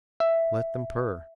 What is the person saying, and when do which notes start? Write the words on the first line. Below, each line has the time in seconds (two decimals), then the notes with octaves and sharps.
Let them purr.
0.20 E5